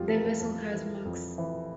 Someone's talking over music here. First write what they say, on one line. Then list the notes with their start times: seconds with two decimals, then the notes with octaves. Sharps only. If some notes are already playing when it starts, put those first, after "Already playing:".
The vessel has max.
Already playing: F2 F4 G4
0.08 E3 A4
0.16 A#4
0.25 A4
0.40 F2 A4
0.73 E3
1.05 F2
1.38 E3